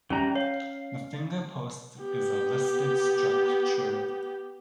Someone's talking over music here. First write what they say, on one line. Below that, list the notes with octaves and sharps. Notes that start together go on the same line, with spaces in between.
The finger post is a listed structure.
E3 G3 C#4 A#5
C#5 F5
B3 G4